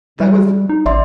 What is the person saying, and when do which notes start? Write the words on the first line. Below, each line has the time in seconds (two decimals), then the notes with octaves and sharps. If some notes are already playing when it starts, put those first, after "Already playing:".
That was
0.20 G3
0.69 D#4
0.86 A1 D5 E5 C6